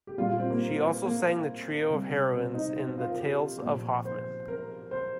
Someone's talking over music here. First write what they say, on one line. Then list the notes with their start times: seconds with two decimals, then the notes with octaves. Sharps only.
She also sang the trio of heroines in "The Tales of Hoffmann".
0.07 G4
0.18 A#2 G3 F4
0.29 F4
0.40 C4
0.50 A#3
1.04 A#3
1.89 C3 G3
2.33 C4
2.54 D#4
2.76 C4
2.98 F4
3.10 A#4
3.20 G4
3.62 A#2 F3
4.05 C5
4.48 A#4
4.91 C5